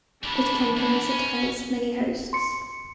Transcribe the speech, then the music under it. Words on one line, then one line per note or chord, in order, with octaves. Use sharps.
It can parasitize many hosts.
E2 D3 D4 B5
E2
C#4
C6 C#7